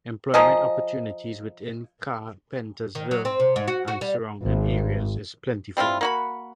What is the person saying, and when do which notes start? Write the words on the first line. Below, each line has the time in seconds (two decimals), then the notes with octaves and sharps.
Employment opportunities within Carpentersville and surrounding areas is plentiful.
0.34 F3 G#4 A#4 D#5
2.95 D#3
3.11 F#3
3.25 C4
3.40 C3
3.56 G#2
3.68 F#4
3.88 F#4
4.01 G3
4.44 G#1
5.77 G3 C4 E4 F4
6.01 A#3 F#4 B5